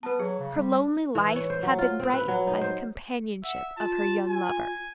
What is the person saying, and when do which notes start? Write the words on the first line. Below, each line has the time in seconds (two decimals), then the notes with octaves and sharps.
Her lonely life had been brightened by the companionship of her young lover.
0.03 B3 B4 A5
0.20 F#3 G#4
0.40 C#3
0.55 G3
1.15 E3
1.36 C#5
1.50 C5
1.63 F#3
1.78 F4
1.99 C4
2.13 B4
2.28 F#3
2.47 D#4
2.61 C5
3.43 E5 F#5
3.77 F4 A5
4.28 G#5